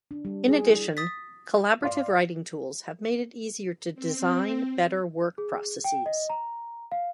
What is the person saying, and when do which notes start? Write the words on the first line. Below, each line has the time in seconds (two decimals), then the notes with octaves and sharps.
In addition, collaborative writing tools have made it easier to design better work processes.
0.11 D4
0.25 G3
0.48 G#4
0.70 E4
0.97 D#6 A6 B6
1.83 D5 F5 C6
3.94 C4
5.38 G#4
5.84 G5
6.06 D#5
6.29 A#5
6.92 F5